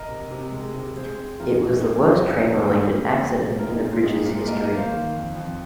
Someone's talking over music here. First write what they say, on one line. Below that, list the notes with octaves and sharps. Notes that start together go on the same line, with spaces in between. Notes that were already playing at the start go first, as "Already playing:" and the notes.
It was the worst train-related accident in the bridge's history.
Already playing: A#4 D#5
C3
C3
G#3
C3
G#3 G#4 C5
C4
F2 F4 A#4
D#4 G#4
C3 F4
D#4 G#4
F3 G#4 C5
F4 A#4
F2 G#4 C5
A#4 D#5
G#2 C5 F5
A#4 D#5
D#3 A#4 D#5
G#4 C5
A#3 G#4 C5
A#3
C3
C3
C4 F4 A#4
D#4 G#4
C4 F4
F4
A#3 D#4 G#4
A#2 F4 A#4
A#3 A#4 D#5
A#4 D#5
A#3
C5 F5
D#3
F2
F2